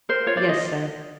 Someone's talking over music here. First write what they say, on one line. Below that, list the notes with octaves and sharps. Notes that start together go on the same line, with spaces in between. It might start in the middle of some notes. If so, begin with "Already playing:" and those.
"Yes, sir."
A#4 C5
F4 C#5
D5
F4
D#5